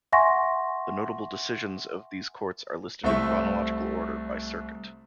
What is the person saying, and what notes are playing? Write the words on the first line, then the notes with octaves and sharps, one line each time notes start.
The notable decisions of these courts are listed in chronological order by circuit.
E5 F#5 G#5 C6 C#6 A#6
C2 A3 C4 E5 C#6